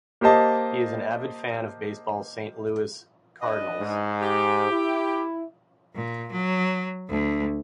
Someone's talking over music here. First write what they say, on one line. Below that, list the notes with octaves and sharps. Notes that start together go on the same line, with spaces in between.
He is an avid fan of baseball's Saint Louis Cardinals.
A#3 G4 C5 D#5 A5
D4 B4 D#5
G#2
G4
E4
A#2
F#3
D2